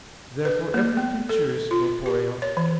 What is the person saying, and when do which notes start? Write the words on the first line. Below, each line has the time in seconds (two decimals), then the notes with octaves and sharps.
Therefore, every creature is corporeal.
0.45 B4
0.74 A#3
0.97 B3
1.29 A4
1.71 F4
2.06 G4
2.42 C#5
2.57 E3